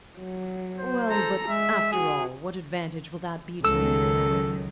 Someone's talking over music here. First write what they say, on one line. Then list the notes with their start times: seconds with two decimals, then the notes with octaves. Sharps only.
"Well, but, after all, what advantage will that be to me?"
0.19 F#3
0.79 C5
1.10 A4 A#5
1.50 G#3 E5
1.93 F#4 G#4
3.65 C#2 D#3 F#3 A4 E6